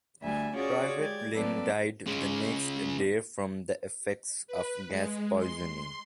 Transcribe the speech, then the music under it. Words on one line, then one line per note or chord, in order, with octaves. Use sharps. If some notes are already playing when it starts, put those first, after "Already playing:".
Private Lynn died the next day from the effects of gas poisoning.
D2 G3 E5 G#5
C#4 F4 F#4 G#4 C#5 D5
G#3 G4 D5 G#6
F#3 A#3 C4 A4 B4 D5
C#3 G#3
B4
G#3
C6